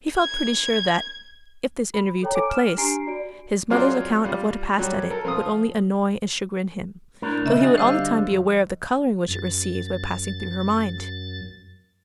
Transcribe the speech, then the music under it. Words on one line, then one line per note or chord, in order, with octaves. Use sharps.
He felt pretty sure that, if this interview took place, his mother's account of what passed at it would only annoy and chagrin him, though he would all the time be aware of the colouring which it received by passing through her mind.
G#6
B5
A4 C#5 G5 A#5
G#5 D6 D7
F6 E7
D4 G4 G#5 A#5 C7 D7
F#4 D5 D7
F#3 C4 F4 G#4 C5 D5
G3 F4
F#3 G3 G4
A4 A#4
F3 F4 D#6
A2 D4 A#4
B1 C#3 D#5 E5
D4 F#4 G#4
D3 G3 C5 D#5 F5
F2
F#2 A6